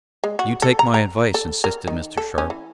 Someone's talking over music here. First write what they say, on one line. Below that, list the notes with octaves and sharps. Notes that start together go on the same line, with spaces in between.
"You take my advice," insisted Mr. Sharp.
G#3
F#4
A4
A#5
A#5
A4
A#4
D#3
A4
C#4
E3